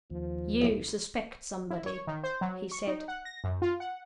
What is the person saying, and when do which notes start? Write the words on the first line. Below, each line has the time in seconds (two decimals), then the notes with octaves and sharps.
"You suspect somebody," he said.
0.10 D#2 F3
0.62 B1 A2
1.71 E4
1.86 C#5
2.07 D#3
2.24 C5
2.41 F#3
2.72 C#6
2.87 D#4
3.08 F#5
3.25 A#6
3.44 F#2
3.62 F4
3.80 F#5